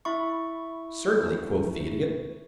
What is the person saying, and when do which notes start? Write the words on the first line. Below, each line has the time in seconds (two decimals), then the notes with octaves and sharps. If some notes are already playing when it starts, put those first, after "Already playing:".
"Certainly," quoth the Idiot.
0.05 E4 E5 B5 C#6